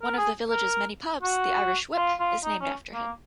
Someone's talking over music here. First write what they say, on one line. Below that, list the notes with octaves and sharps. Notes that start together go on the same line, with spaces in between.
One of the village's many pubs, "The Irish Whip", is named after him.
A#4
G#4
A#4
F#4
F4
F4
D#4
C#4
A#3